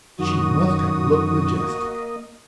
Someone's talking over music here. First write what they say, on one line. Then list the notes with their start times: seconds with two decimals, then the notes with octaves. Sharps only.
She must have looked majestic.
0.19 F#2 D#3 F#4 D#6
1.60 A#3 D#5